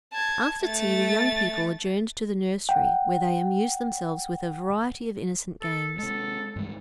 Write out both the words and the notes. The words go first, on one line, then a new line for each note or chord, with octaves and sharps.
After tea the young people adjourned to the nursery, where they amused themselves with a variety of innocent games.
A5 G#6
A3 A6
F#5 G5
A4
C3 G#3 A4
G2 E3 G#3